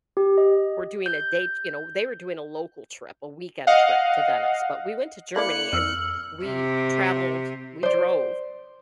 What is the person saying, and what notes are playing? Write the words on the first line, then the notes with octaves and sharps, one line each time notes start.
were doing a date, you know, they were doing a local trip, a weekend trip to Venice, but we went to Germany and we traveled, we drove
G4
D#5
G6
D#5 F5 F#5
A#3 E4 D5 F#6 C#7
F2 E6 F6
C3
C5 D5